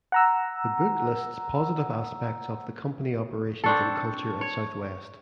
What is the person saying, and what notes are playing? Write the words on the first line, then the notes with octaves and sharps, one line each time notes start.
The book lists positive aspects of the company operations and culture at Southwest.
F#5 A#5 E6
C4 D4 A4 A5 C#6
C#5